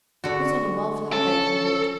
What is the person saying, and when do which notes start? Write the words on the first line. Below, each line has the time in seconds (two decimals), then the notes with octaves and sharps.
Put on a well-floured baking-board.
0.24 D3 F#4
1.13 C#4 A4